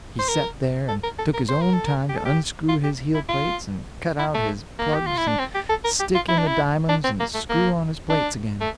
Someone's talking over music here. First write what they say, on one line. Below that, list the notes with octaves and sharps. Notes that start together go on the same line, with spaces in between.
He set there and took his own time to unscrew his heelplates and cut out his plugs and stick in the di'monds and screw on his plates again.
C5
A#4
A4
A#4
A4
A#4
C5
A#4
A4
A#4
G4
A4
G4
F4
G4
E4
F4
E4
A3
A#3
G4
F4
E4
D4
C4
G4
A4
A#4
G4
F4
E4
D4
E4
D4
C4
A#3
A3
A#3
D4
A3